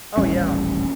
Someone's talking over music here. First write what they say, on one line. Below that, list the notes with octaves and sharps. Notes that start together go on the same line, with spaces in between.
Oh yeah,
D#1 A1 G3 C#4